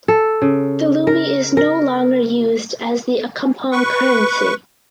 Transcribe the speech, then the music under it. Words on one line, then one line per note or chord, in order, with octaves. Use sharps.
The lumi is no longer used as the Accompong currency.
A4
C#3
A#4
A#4
B4 C#6